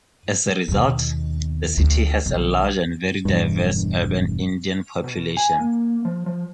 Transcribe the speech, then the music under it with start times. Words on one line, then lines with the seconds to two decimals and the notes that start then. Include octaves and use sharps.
As a result, the city has a large and very diverse urban Indian population.
0.68 D#2 B2
1.77 D2
2.26 B1 D#3
3.25 E1 G2
5.04 B2
5.37 G#5
5.59 A#3
6.05 F3
6.26 F3